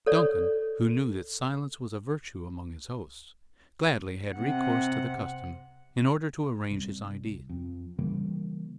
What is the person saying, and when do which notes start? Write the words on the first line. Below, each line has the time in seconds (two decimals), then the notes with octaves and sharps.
Duncan, who knew that silence was a virtue among his hosts, gladly had recourse to the custom, in order to arrange his ideas.
0.06 A4 C#5 D5
4.36 C3 F#5
6.71 C2
7.49 F2
7.99 C#3 E3 G3 A#3